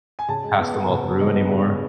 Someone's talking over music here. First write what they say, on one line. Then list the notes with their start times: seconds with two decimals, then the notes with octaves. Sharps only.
pass them all through anymore.
0.19 G#5
0.28 C#3 A5
0.44 G#3
0.59 B3
0.74 B3
0.90 C#3
1.05 C#3
1.20 C#3 D#5
1.35 B3
1.51 C#3
1.66 C#3